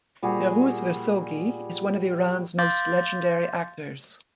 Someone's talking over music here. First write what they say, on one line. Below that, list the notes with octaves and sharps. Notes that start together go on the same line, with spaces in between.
Behrouz Vossoughi is one of Iran's most legendary actors.
A#2 G3 F#4 G#4
F5 C6 D6 G6 A6